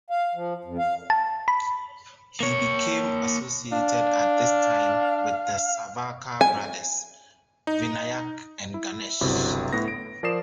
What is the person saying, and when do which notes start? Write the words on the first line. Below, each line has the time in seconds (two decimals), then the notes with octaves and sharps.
He became associated at this time with the Savarkar brothers, Vinayak and Ganesh.
0.10 F5
0.35 F3
0.64 F2
0.79 F5
1.10 A5
1.48 B5
2.40 A#3 C#5
3.72 D4 F5
6.41 G#5
7.67 D#4
8.74 E4
9.21 G1 C#2 C3 F#3 E4
9.73 A2 B3 A#6
9.88 D7
10.23 F3 A#4 D5 D#6 C7 E7